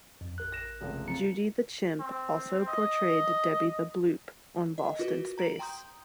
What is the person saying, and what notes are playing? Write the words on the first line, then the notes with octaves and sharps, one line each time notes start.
Judy the Chimp also portrayed "Debbie the Bloop" on "Lost in Space".
F2
A1 A#4 F#6
A#6 E7
F1 C#2 A3
C4 A#5 C#7
C4
D#5
D#5
F4 F#4 A#4 B4
A#5 D7 F#7
G5 A#5 C6 D#6 G6